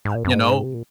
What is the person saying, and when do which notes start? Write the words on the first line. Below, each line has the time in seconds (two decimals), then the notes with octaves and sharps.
you know,
0.05 G#2
0.15 A#2
0.25 F#2
0.34 G#2
0.64 C3
0.74 A#2